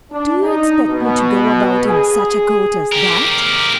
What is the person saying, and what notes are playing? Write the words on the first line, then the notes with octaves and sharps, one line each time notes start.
'Do you expect me to go about in such a coat as that?
D4
D#4
B2
G#4
G4 A#4